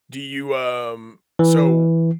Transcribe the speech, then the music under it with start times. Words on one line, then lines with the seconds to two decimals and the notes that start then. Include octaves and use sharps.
Do you, um so,
1.39 E3